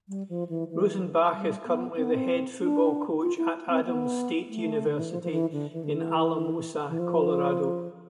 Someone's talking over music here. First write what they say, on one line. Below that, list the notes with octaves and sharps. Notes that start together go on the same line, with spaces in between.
Rosenbach is currently the head football coach at Adams State University in Alamosa, Colorado.
G3
F3
E3
E3
G3
B3
C4
B3
C4
D4
F4
E4
C4
B3
A3
D3
E3
F3
F3
E3
D3
E3
D3
E3
E3
F3